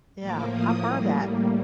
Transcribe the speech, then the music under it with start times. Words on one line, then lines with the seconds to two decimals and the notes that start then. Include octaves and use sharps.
Yeah, I've heard that,
0.19 A2 F3 A#3 D6
0.51 D#6
0.84 A2 G3 A#3